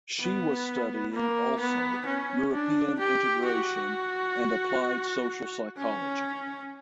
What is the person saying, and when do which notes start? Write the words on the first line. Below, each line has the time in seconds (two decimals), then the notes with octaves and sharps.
She was studying also European integration and applied social psychology.
0.20 B3
1.13 A#3
1.60 B3
2.06 C#4
2.53 D4
2.99 G4
3.46 F#4
5.78 C#4